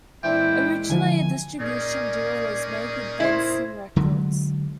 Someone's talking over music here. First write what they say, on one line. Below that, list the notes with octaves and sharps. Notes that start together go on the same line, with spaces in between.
Originally a distribution deal was made with Benson Records.
A#2 E3 G#3 C4 D4 E4 G5
D3 F3 G#5
A#2 C#4 D#4 G#4 D5
E4 C5
D3 F#3 G#3